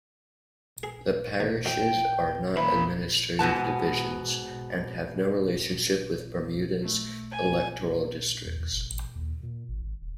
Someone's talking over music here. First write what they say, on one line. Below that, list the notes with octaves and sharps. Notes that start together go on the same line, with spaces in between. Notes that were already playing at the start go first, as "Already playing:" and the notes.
The Parishes are not administrative divisions, and have no relationship with Bermuda's electoral districts.
G#4
D#2
F2 G5
E3 A#3 B5
G#2 B2 B3 A5
A3
G#5
E2
E2
F#1
A1
D#2
A#2
G#1
G#1
D#1